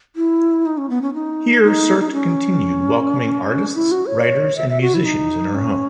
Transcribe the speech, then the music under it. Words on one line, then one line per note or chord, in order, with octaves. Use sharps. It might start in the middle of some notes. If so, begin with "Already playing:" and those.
Here Sert continued welcoming artists, writers, and musicians in her home.
E4
D#4
C#4
B3
C#4
D#4
D#4
D#4
C#4
E4
F#4
C#5
E5
E5
F#4
E4
D#4
C#4